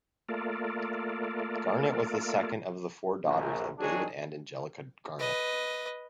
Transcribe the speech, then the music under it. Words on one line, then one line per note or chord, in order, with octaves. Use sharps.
Garnett was the second of the four daughters of David and Angelica Garnett.
A3 A#3 F4 A4 A#4 D5
A#1 F#2
D#3 F#3 D4 G#4
B4 D#5